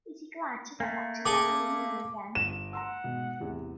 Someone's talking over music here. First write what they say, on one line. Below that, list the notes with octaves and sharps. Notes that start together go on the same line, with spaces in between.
Is he glad to get back to Daddy and Mummy again?
A3 A#3
G#4 A4 G#5 D6
G1 E7
F#5 A#5 C6 E6
G#2 B2
A1 E2 C3